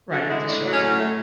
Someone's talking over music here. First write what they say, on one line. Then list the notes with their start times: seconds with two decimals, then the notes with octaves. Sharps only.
Right. It's a shared spa
0.11 D3 F#4
0.28 G#3 E4
0.46 A2 D4
0.64 F#3
0.73 C#4
0.82 A2
0.98 A3